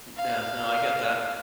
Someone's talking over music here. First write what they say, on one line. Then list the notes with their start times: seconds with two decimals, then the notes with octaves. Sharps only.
M uh, no. I get that.
0.17 F5